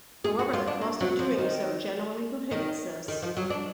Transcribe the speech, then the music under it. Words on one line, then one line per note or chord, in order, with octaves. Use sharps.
However, the cost of doing so generally prohibits this.
G#4
F#4
F4
D4
A#3
F#3
F3
D#3
D#3
D#3
F3
F#3
D4